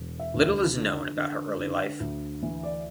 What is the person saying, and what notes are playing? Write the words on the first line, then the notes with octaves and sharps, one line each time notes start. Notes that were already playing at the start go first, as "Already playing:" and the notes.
Little is known about her early life.
Already playing: E1
E5
D2
D3
D3
D3
D2
E3
D5